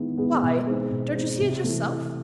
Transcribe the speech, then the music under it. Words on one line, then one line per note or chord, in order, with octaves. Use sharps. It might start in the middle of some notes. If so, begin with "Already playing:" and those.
Why, don't you see it yourself?
Already playing: D#3 G#3 B3 E4 G#4
G#3 B3 E4 G#4
B2
G#3 C4 D#4
B2
G#3 C4 D#4
C3
E3 A3